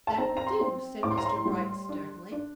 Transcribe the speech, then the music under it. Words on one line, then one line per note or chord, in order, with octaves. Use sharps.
"That will do," said Mr. Bright sternly.
A5
C4 A#5
A#5
C6
C4
A2 D6
C6
A#5
C6
G3
D4
D4